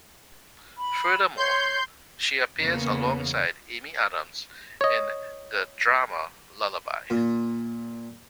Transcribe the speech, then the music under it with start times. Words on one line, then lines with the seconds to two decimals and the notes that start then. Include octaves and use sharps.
Furthermore, she appears alongside Amy Adams in the drama "Lullaby".
0.78 B5
1.36 C#5 C6 G6
2.61 E2 C#3 A#3 B3
4.81 C#5 D#5
7.10 A#2